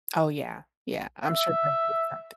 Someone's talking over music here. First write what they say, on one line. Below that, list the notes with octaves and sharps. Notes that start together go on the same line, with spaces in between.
Oh, yeah, yeah, I'm sure that's just something
E5